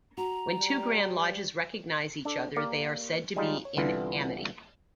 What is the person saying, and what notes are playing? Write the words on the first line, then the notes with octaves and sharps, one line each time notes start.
When two Grand Lodges recognize each other they are said to be "in Amity".
F#4 A#5
G3
D4 A4
A#3 G4 A#4 D5
G3 G#3 D#4 F4
C#5
C2 D3 E3 B3 F4